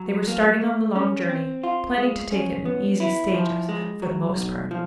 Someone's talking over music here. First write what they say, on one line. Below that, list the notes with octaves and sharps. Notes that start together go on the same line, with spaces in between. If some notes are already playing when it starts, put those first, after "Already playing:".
They were starting on the long journey, planning to take it in easy stages for the most part.
Already playing: F#3
A#3
A3
C#4
C4
F4
G#3
C#4
B3
E4
F3
G#3
F#3
B1
F3